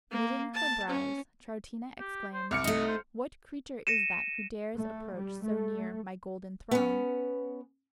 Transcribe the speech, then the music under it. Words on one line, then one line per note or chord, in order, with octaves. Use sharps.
Knitting her brows, Troutina exclaimed, "What creature is that who dares approach so near my golden throne?"
A#3
A5
C#4
G4
C5
C2 D6 F6 C#7
A3 D#4 D#5
C5
A#6 C#7 D#7 E7
A3
G3
A3
B3 C#4